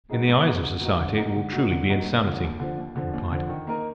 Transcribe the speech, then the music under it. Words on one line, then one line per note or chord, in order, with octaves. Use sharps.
"In the eyes of society it will truly be insanity," he replied.
F#3 B3 D#4 G#4
G#2
F#3 B3 D#4 G#4
D3
F#3 A#3 D#4 F#4
D3
F#3 A#3 D#4 F#4
D3
F#3 A#3 D#4 F#4
D3
F#3 A#3 D#4 F#4
D#2
D3 F3
D#2
D3 F3
D#2
D3 F3
D#2
D3 F3
D#3
A#3 D#4 A#4 D#5